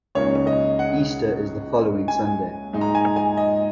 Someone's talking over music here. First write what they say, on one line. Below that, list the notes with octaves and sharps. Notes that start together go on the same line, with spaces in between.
Easter is the following Sunday.
C#2 C#3 A#3 D#4 C#5
D#5
F#5
G#5
G#2 G#3 D#4
A#5
G#5
G#5
D#5